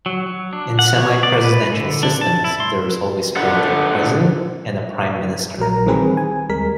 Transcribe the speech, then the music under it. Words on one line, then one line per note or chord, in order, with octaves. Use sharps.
In semi-presidential systems, there is always both a president and a prime minister.
F#3
F#3
D4
F#5
C#5
D5
B4
D3
D4
A5
E4
C6
D4 A4 B4 F#5
A#1 F#3 A#4 A#5
D#3 E3 G3 C4 G#4 B4
G#5
D#2 G3 G#3 A#4 B6